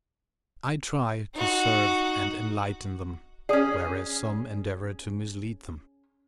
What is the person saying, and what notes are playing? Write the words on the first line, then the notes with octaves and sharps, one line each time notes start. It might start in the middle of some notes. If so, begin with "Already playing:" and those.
I try to serve and enlighten them, whereas some endeavor to mislead them.
D#4 F#4
C#4 G#4 D5 G#5 D#6